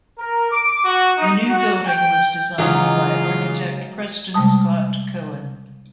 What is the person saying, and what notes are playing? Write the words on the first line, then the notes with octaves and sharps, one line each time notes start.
The new building was designed by architect Preston Scott Cohen.
A#4
D6
F#4
D#4
F#4
G5
C#3 E3 F#3 G#3 D#4 F4 D#6
C3 G3 G#3 A5 D#6